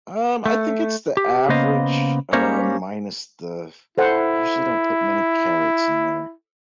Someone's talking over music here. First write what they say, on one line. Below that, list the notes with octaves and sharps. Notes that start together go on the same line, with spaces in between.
Um, I think it's the average, uh, minus the I usually don't put many carrots in there.
A3
G4
C#3 A#3 B3 C5 D#5 F5
G3 A#3 C#4 A#4 C5 C#5
E4 A4 C5 F#5